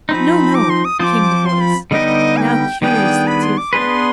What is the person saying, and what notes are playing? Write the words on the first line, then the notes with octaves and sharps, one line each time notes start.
"No, no," came the voice, now curiously tearful.
F3 C4 D#4 B5 C6
D6
C6
D#6
F3 C4 F4 C5 D6 D#6
C6
B5
D3 G3 B3 D#4 G4 D#5
G#5
G5
D#3 G3 B3 D4 G#4 G5
B5
C6
D6
B3 D4 G#4 B4 C6